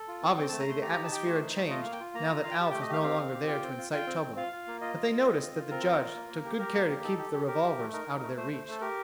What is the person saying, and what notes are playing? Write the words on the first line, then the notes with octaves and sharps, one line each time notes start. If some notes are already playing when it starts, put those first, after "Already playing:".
Obviously, the atmosphere had changed, now that Alf was no longer there to incite trouble, but they noticed that the Judge took good care to keep the revolvers out of their reach.
Already playing: A4
F4
C4
C4 G5
A3 A5
A#5
A3 C6
G4 A#5
D#4 A#5
A5
G4 G5
A3 C5
D#4
A3
F4 D#5
A#3 F5
G5
F4
A#3 A#5
F4
F4 F5
G5
G4 A5
A3 G5
D#5
G4 F5
C4 F5
C4
G4
F4 G5
C4
F4
F4 G5
C4
C4
F4 F5
F4
A#3
F4 D#5
F4
F4
C4
F4
F4
C4 A#4
F4
F4
A#3
A#3
G4
G4 A#4
A#3
G4
D#4 A4
G4
G4
G4 A#4
G4
A3
D#4 A#4
D#4
A3
A3 C5
A3
A3 A4
G4 A#4